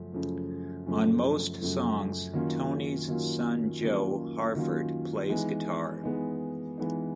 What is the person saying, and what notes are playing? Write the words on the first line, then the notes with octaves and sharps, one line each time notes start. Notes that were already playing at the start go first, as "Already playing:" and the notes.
On most songs, Tony's son Joe Harford plays guitar.
Already playing: F#2 C#3 F3 A3
F#2 C#3 F3 A3
F#2 C#3 F3 A3
F#2 C#3 F3 A3
D#3 F#3 A#3 C#4 F4
D#3 F#3 A#3 C#4 F4
D#3 F#3 A#3 C#4 F4
D#3 F#3 A#3 C#4 F4
E3 G#3 B3 D#4
E3 G#3 B3 D#4
E3 G#3 B3 D#4